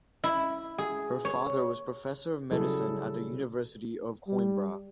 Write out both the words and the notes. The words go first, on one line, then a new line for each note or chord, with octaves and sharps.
Her father was professor of medicine at the University of Coimbra.
E4
G#4
C#5
C#3 F#3 G3 E4 G#4 A4
G3